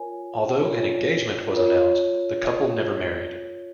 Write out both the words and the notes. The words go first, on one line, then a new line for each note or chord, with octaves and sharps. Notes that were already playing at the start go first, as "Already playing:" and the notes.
Although an engagement was announced, the couple never married.
Already playing: F4 A#4 C#5 G#5
F4 A#4 C#5
F4 A#4 C#5